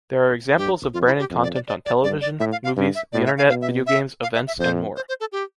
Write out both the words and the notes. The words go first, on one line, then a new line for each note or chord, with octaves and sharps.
There are examples of branded content on television, movies, the Internet, videogames, events and more.
G2 G4
F2 F4
E4
G4
F2
D5
D5
D5
D5
G2 D5
D5
A2 E5
F5
F5
G2
E5
A2 D5
E5
F5
B2 F5
E5
E5
F5
E5
E5
F2 C5
C5
C5
A4
G4